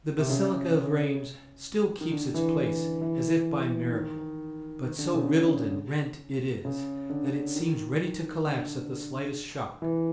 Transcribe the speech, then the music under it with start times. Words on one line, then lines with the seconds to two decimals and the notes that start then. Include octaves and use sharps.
The basilica of Rheims still keeps its place as if by miracle, but so riddled and rent it is, that it seems ready to collapse at the slightest shock.
0.19 C3
0.30 C#3
2.01 D#3
2.12 D3
2.34 E3
2.57 E3
3.01 E3
3.92 D#3
4.83 D#3
4.99 D3
5.14 C#3
6.65 C#3
7.10 D3
7.56 D#3
8.47 D3
9.82 E3